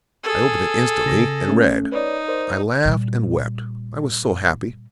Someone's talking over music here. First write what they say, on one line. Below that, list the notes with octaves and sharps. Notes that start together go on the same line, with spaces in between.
I opened it instantly and read: I laughed and wept. I was so happy.
G#4 A4
C#3 A#6
A3 C#4
D#4 B4 C#5 D5
A#4 C5 D5
A#2 G3